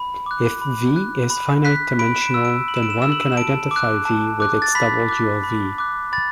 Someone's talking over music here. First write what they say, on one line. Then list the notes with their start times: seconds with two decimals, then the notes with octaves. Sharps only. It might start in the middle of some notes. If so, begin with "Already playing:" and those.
If "V" is finite-dimensional then one can identify "V" with its double dual "V".
Already playing: B5
0.26 D6 F#6
0.62 B5
0.96 F#6
1.30 B5
1.65 F#6 B6
1.99 B5 D7
2.16 E7
2.22 D7
2.34 E6
2.45 D7
2.68 B5 F#7
2.76 E7
2.83 D7
2.90 E7
3.02 E6 E7
3.12 F#7
3.21 E7
3.32 E7
3.37 A5 D7
3.71 D6
3.76 F#6
4.05 A5
4.40 D6 F#6
4.62 A6
4.75 B5 B6
5.09 D6 F#6
5.44 B5
5.78 D6 F#6
6.13 B5 A6